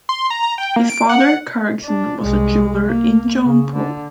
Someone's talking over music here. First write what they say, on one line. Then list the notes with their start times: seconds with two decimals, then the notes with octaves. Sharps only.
His father Kharagsen was a jeweller in Jaunpur.
0.09 C6
0.30 A#5
0.43 A#5
0.58 G5
0.76 A#3
0.90 D7
1.09 F#5
1.84 D4
2.20 C2 G#3
2.85 A#3
3.44 C#3
3.74 D3